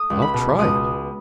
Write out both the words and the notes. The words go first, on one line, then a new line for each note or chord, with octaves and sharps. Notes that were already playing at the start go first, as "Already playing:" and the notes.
I'll try it.
Already playing: A3 D#6
C#2
B5
B2
C#2 D#6